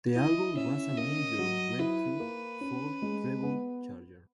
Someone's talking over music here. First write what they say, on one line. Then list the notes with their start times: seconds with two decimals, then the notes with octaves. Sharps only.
The album was a major breakthrough for Treble Charger.
0.16 E4 D#5
0.57 C#4 E5
0.97 A#3 D#5
1.39 F#3
1.79 E4 B4
2.20 A#3
2.61 C#4
3.02 G#3
3.43 B3